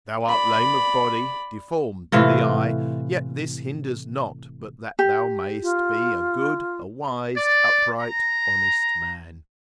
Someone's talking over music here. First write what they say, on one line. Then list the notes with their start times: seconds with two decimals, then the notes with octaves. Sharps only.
Thou art lame of body, deformed to the eye, yet this hinders not but that thou mayst be a good, a wise, upright, honest man.
0.27 D5 B5
2.12 A2 C3 E3 F4
4.99 G4
5.62 F4
7.35 D5
8.01 A#5